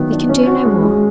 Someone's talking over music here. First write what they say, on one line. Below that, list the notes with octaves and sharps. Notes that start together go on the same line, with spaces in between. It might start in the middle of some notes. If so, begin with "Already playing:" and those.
"We can do no more."
Already playing: D#3 F#3 B3
D4
C#4
F#4
G#3
G#3